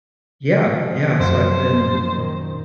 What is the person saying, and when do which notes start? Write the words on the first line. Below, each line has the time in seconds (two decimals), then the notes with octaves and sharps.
Yeah, yeah, so I've been
0.71 F3
1.20 F#2 C5
1.99 A#2 D#3